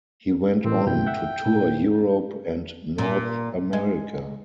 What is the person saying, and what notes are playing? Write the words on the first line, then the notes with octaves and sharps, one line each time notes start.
He went on to tour Europe and North America.
A2 E3 C4 C#4
F#2 B2 E4 G5
E5 F#5 G6
A#2 E4
A#2
G#3